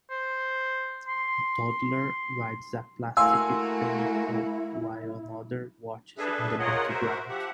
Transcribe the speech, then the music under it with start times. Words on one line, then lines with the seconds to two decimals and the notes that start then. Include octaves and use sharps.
A toddler rides a plastic vehicle while another watches in the background.
0.10 C5
1.08 C6
3.17 A3 A#3 E4 F#4 F5 G#5 C6 E6
6.18 D4 G#4 A4 B4 E5
6.59 F4 G#4 A#4 C#5 D#5 F#5
6.89 F#4 A#4 C5 E5
7.29 F3 G4 E5 F#5